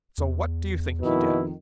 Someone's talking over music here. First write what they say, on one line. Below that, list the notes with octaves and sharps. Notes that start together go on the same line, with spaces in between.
So what do you think he did?
E2
F2 B2 D#3 E4